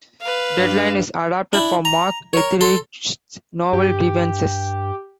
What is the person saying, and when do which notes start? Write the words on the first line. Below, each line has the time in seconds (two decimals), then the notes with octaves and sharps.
Deadline is adapted from Mark Ethridge's novel Grievances.
0.21 B4 F5
0.57 G2
1.53 D4 E4
1.85 A#5
2.33 A#4 C#5
2.61 A4 C6
3.73 G2 G4